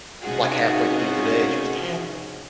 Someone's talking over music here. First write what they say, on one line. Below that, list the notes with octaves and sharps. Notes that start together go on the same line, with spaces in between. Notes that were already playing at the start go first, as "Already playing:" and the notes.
like, halfway through the day, she goes, "Dad,
C3 C#4 D#4 F4 F#4 G#4